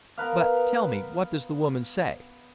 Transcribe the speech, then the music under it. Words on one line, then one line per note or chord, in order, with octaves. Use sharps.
"But, tell me, what does the woman say?"
B3 A#4 B4 F5